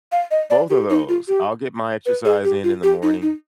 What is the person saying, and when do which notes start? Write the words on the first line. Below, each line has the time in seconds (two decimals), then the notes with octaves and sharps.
both of those I'll get my exercise in in the morning,
0.12 F5
0.31 D#5
0.50 D5
0.70 G4
0.90 D#4
1.09 F4
1.28 G4
2.06 B4
2.25 G#4
2.44 G4
2.64 F4
2.83 G4
3.03 D#4
3.22 D#4